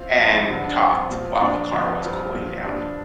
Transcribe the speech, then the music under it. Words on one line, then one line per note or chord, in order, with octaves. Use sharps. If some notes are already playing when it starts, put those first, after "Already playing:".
and talked while the car was cooling down.
Already playing: C4 F4
F2 F3
G2 D3 F3
D4
G2 F3 C4 F4
A#2 F3
A#2 F3 D4
F2 D3 F3
G2 F3 C4
A#2 F3
G2 F3 D4